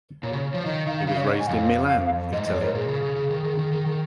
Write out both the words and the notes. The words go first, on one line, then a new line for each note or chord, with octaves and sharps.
He was raised in Milan, Italy.
A#2 C#5
C#3
F3
D#3 D#5
D#3 F5
C#3 F5
C#5
G#2 D#5
G#5
F2 F5
G#2 D#5
D#5
F2
C#5
G#2 A#4
A#2 G#4
C#3
C#3
C#3
D#3
D#3
D#3
D#3
D#3